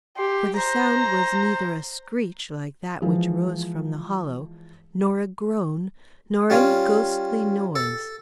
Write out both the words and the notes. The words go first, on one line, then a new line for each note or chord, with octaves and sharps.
For the sound was neither a screech like that which rose from the hollow, nor a groan, nor any ghostly noise.
G4 C6
C5 A#5
E3 F3 G#3
G3 C#4 F4
A4